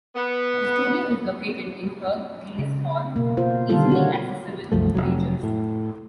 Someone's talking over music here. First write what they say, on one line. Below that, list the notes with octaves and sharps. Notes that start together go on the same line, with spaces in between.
The studio is located in Hugh Gillis Hall, easily accessible to majors.
B3
C#3
B2 A#3
F4 C5
D3 D#3 G3 F4 A4
F#4 C#5
C2 F#2 F3 A3
F1 C#2 F#3
A2